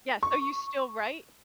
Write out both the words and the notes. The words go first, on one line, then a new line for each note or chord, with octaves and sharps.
Yes, so you still write?
C#6